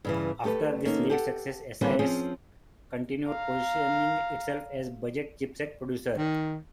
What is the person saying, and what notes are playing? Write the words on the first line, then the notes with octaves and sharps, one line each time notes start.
After this late success, SiS continued positioning itself as a budget chipset producer.
G2 C#3 E3
A3 G4 A4 B4
D#3 A#3 C#4 A4
G4 A4 F#5
D3 E3 G3 A#3 C4 C#4
F3 C4 C#4 G#4
F5 A#5
D#3